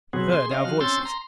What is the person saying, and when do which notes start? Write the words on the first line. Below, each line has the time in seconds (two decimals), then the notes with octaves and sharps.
He heard our voices.
0.13 B2 F#3 B3 C4 F#4 G#4
0.32 G#4 C6
0.51 C#4 D#5 F5
0.65 F3 F#4 F6
0.80 C4 C#4 C6 E6 G6 A6
1.05 A#5 C6